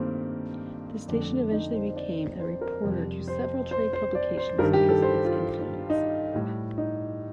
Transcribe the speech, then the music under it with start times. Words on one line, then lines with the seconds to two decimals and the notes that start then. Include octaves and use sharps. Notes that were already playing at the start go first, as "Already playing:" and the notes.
The station eventually became a reporter to several trade publications because of its influence.
Already playing: G2 D#3 A3 A#3 C4
1.08 F2 D3 A3 D4
1.52 D#4
1.74 C5
1.96 D5
2.39 C5
2.61 A#4
2.84 F2 C3 G3
3.28 C5
3.71 C5
3.93 C5
4.15 D5
4.37 C5
4.59 G2 D#3 G3 A#4
4.73 G4
4.89 A4
5.02 C5
5.25 F4
5.90 D#4
6.34 A2 G3
6.78 D#4